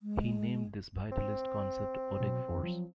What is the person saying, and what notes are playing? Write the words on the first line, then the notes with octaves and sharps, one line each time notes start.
He named this vitalist concept "Odic force".
G#3
C4
B2 F#3
F2
F3 F#3